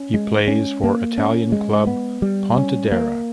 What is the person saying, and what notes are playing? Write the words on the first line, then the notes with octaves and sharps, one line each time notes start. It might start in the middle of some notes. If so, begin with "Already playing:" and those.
He plays for Italian club Pontedera.
Already playing: C#4
G#3
C#4
A#3
C#4
G#3
B3
G3
C#4
A#3